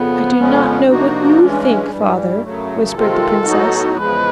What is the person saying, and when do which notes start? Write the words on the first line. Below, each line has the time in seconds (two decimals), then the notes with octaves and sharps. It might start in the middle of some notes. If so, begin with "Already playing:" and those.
"I do not know what you think, Father," whispered the princess.
Already playing: F2 C#3 F3 B3
0.35 F2 C#3 F3 G#3 C#4
0.87 C3 F3 A#3 D4 D#4 F#4
1.39 G2 E3 G#3 C#4
1.90 G2 E3 G3
2.43 F#2 C#3 F#3 A3
2.94 C3 D#3 G#3 C4 F4 A4
3.46 A2 F#3 B3 D#4 F#4
3.97 E2 C#3 F3 G#3 B4